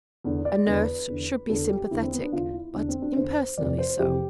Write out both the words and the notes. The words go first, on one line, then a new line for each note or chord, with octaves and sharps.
"A nurse should be sympathetic, but impersonally so."
E2 D3
D5
E2 D3 B4
E2 D3
E2 D3 A4
G4
E2 D3 E4
C4
B3
D4
E2 D3 F4
E4
E2 D3 D4
C4
D4
E2 D3 C5
F2 C3 E3 D5
C5
F2 C3 E3 G4